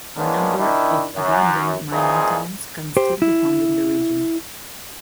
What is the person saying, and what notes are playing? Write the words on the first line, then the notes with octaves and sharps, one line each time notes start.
A number of abandoned mining towns can still be found in the region.
D#3 G#3 A#3 B3 C#4 D4
D#3 D4 E4
F#2
A#2 E3 F3 C4 D#4 G#4
G4 C5
E4